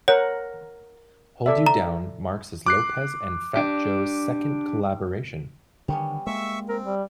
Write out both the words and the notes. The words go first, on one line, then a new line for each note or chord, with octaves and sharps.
"Hold You Down" marks as Lopez and Fat Joe's second collaboration.
A#4 C#5 F#5
A4 D5 E5
A#5
D6 F#6 C7
D4 G4
D3 D#3 G3 B3 C#4
G#3 A#3 E5 C#6 E6
C4 A#4
G3